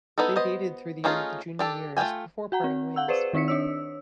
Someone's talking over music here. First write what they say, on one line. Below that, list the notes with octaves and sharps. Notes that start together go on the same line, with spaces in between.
They dated through the end of the junior years before parting ways.
B3 D#4 E4 A4
B3 C5 D#5
A3 C#4 D#4 F4 G#4
D4 G4 A4
A3 F4 F5 G5 G#5
F#4 F#5 A#5
C4
F5 F#5 E6
G#4 B4 C5 D5 E7
D#3 C4 D#4 B6 C#7
D4 C#5 E6